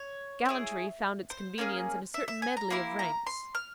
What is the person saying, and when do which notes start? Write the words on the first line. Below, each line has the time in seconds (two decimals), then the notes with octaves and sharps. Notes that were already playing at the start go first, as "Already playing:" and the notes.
Gallantry found its convenience in a certain medley of ranks.
Already playing: C#5
0.45 C4
0.49 E4 G#4
1.30 C5
1.58 A#3 C#4 F4 G#4
2.14 E5
2.28 E5
2.42 G#5
2.57 A#5
2.70 A#3 E4 G4 C6
2.99 A#5
3.27 C6
3.55 F6